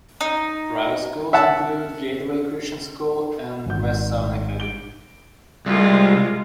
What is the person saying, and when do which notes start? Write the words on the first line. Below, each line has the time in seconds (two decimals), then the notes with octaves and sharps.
Private schools include Gateway Christian School and West Sound Academy.
0.21 D#4
1.33 E5 F#5 A5
3.66 G#1 F#5 G6
4.60 D7 G7
5.67 C2 G#3 F4